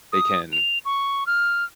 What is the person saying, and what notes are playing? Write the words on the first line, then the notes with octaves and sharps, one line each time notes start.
they can
D#6
F7
C#6
F6